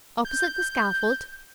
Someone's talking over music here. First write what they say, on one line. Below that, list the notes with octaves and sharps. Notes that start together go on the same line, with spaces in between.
"Opposite the scaffold?"
G6